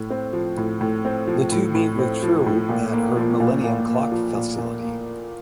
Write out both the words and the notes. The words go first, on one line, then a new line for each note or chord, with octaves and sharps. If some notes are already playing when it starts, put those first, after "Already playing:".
The two meet with Trieu at her Millennium Clock facility.
Already playing: A2
C4
F3
A2
A2
C4
F3
A2
A2
C4
F3
A2
A#2
A#3
F3
A#2
A#2
A#3
F3
A#2
A#2
A#3